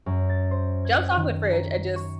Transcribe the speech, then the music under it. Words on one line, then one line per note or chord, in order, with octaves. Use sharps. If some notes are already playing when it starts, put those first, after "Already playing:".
jumps off the fridge and just
F#2
A6
C5
G#6
D#3
A#5
C#6